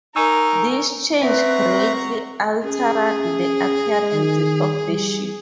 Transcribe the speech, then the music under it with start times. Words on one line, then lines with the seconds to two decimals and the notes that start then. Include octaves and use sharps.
This change greatly altered the appearance of the ship.
0.16 D#4 A#4 G#5 C#6 E6
1.22 C4 B4 E5 F#5 A#5 C#6 B6
2.64 C#4 G#4
4.14 D#3
4.88 G3